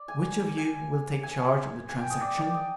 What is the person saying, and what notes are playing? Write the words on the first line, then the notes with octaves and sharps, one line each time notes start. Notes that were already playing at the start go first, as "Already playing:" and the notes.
"Which of you will take charge of the transaction?"
Already playing: D5
G#5
G#5
G#5
G#5
G5
D#5
D5
D5
D#5